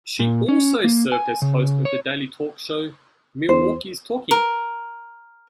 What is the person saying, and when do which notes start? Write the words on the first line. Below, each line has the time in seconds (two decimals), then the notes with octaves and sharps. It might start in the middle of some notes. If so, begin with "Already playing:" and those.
She also served as host of the daily talk show "Milwaukee's Talking".
0.19 A#2
0.49 C#4
0.84 A#3
1.12 G#5
1.42 C#3
1.85 C#5
3.49 E2 C5
4.31 A#4